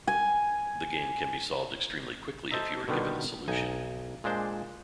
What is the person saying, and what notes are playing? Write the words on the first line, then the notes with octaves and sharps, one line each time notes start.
The game can be solved extremely quickly if you are given the solution.
G#5
A4 C5 D#5 E5 A#5
B2 D3 D#3 G3 B3
B1 D#4 G#5
A#2 G#3 D4 C5